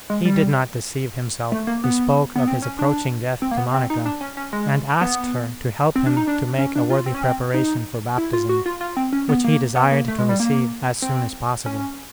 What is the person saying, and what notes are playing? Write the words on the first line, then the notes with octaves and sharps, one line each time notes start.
He did not deceive himself. He spoke of his approaching death to Monica, and asked her to help him to make a worthy preparation for Baptism, which he desired to receive as soon as possible.
G#3
G3
A3
A#3
B3
B3
C4
C#4
D4
C4
A#3
B3
C4
D#4
D4
C#4
C#4
G#3
B3
C4
D4
D#4
D4
C#4
D4
F4
C4
C#4
C4
D#4
E4
F4
F#4
F4
F4
C4
C#4
B3
A#3
B3
A#3
A3
G#3
G3
A#3
C4
C#4